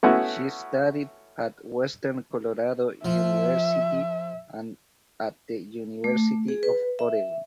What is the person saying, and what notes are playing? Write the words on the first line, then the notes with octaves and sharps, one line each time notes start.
She studied at Western Colorado University and at the University of Oregon.
A3 B3 C#4 E4 F#4
F3 E5
A3
G#4
B4
E5